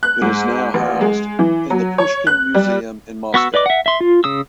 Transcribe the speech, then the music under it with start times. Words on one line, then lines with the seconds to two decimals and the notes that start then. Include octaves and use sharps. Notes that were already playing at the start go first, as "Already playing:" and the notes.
It is now housed in the Pushkin Museum in Moscow.
0.03 F#6
0.22 G#2
0.74 A1
1.01 G#3
1.39 E3
1.70 F#3
1.98 C#5
2.27 F#6
2.54 G3
3.34 B3 F#4 C#6 E6
3.54 B4 D5 D#5 D6
3.66 E5 F#5
3.86 E5 C6
4.01 F4
4.24 C#3 D#6 E6